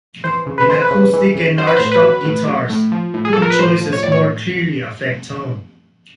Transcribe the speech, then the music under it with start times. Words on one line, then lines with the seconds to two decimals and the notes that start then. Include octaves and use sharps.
In acoustic and archtop guitars, wood choices more clearly affect tone.
0.24 E3 C5
0.46 C#3
0.58 B4
0.69 E3 C5
0.82 B4
0.91 C#3
1.13 E3
1.35 C#3
1.58 F#3 C5
1.67 B4
1.77 C5
1.80 A2
1.92 B4
2.02 F#3
2.25 A2
2.47 F#3
2.70 A2
2.92 F3
3.14 A2
3.25 G#4
3.33 A4
3.37 F3
3.42 A#4
3.50 B4
3.59 A2 C5
3.81 F3
3.93 C#5
4.03 A2 D5
4.12 C#5